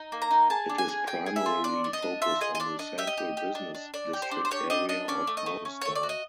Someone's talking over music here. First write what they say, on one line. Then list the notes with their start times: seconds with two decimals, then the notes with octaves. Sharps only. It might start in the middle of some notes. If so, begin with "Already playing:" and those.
It is primarily focused on the central business district area of Morristown.
Already playing: D#4
0.12 A#3
0.22 A#5
0.30 D#4
0.50 G#4 A5
0.69 D4
0.78 G#5
0.88 G#4
1.07 G#4 G5
1.26 G#4
1.36 E5
1.46 F4
1.64 D4 D5
1.84 D4
1.93 D#5
2.02 D4
2.22 F4 E5
2.41 G#4 D#5
2.55 D#5
2.60 D4 D5
2.79 D4 D#5
2.98 G4 E5
3.07 D#5
3.17 G4
3.37 G4
3.55 D4
3.75 D4
3.94 D4 D5
4.13 G4
4.22 C5
4.31 D4
4.45 C5
4.51 G4 C#5
4.70 D4 D#5
4.89 D4 D#5
5.08 C#4 D5
5.27 A3
5.37 D#5
5.46 A3
5.65 C#4
5.81 A3 C#5
5.95 D5
6.03 F#4
6.09 D#5